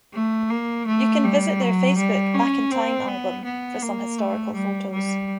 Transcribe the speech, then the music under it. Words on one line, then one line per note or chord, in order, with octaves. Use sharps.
You can visit their Facebook Back In Time Album for some historical photos.
A3
A#3
A3
G3
F#3
G3
C#4
C4
B3
B3
A#3
A3
G3
G3